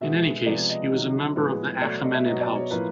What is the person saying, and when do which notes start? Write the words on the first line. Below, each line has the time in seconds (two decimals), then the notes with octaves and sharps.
In any case, he was a member of the Achaemenid House.
0.01 B2 G#3 B3 E5
0.46 C3 F3 G#3 B3 D5
0.69 D#5
0.91 C3 D#3 F#3
1.36 A2 F3 G#3 B3
1.81 B2 F#3 A3 D5
2.03 D#5
2.15 E5
2.25 B2 F#3 B3 D#5
2.41 D5
2.55 C#5
2.71 A2 F3 A#3 B4